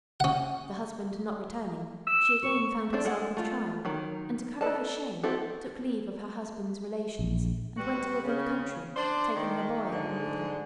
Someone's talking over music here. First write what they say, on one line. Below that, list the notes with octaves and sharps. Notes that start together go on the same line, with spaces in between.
The husband not returning, she again found herself with child, and to cover her shame, took leave of her husband's relations, and went to live in the country, taking her boy along with her.
C#4 F#5
E6
C#6
C4 D4 A4 D5
G#3 A4 F#5
A3 F4
D#3 F#3
A4 B4 D5 D#5 A5
B3 C4 E4 F#4 A4
A#1
G3 F#4 B4
C#3
D4 C5 D5
D#3
G#2 D3